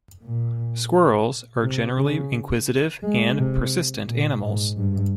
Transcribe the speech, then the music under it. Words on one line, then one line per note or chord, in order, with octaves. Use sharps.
Squirrels are generally inquisitive and persistent animals.
A#2
C3
C#3
G#3
C3
A#2
G#2
G2